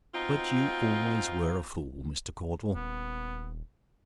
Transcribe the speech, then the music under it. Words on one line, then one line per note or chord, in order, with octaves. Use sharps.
But you always were a fool, Mr. Caudle!
B2 C4 D#4 F4
D#1 B3